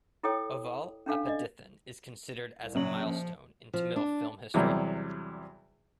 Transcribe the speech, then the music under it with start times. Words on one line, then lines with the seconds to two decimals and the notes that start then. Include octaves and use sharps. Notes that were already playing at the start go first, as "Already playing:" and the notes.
"Aval Appadithan" is considered as a milestone in Tamil film history.
0.23 E4 A4 C#5 G5 D#6
1.06 C#4 D4 A4 F5
1.25 D4 D5 D#5
2.62 C2
2.75 A#1 C#3 F#3 F#7
3.05 F3
3.73 F3
3.96 D4
4.54 E2 C3 F#3 G3